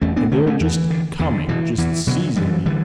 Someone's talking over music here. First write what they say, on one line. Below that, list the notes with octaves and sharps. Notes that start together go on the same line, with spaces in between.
And they are just coming, just seizing me.
E2 A3 C#4
B3 D4
D3 A3 C#4
A3 C#4
E2 E3
D3
E2 D3
B2 E3
E2 E3
B2 D3 F#3
F#2 E3 G3
D3 E3 G3